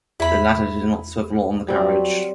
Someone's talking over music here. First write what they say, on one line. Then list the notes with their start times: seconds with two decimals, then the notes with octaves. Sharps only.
The ladder did not swivel on the carriage.
0.20 E2 E4 B5
1.68 F#3 G3 C4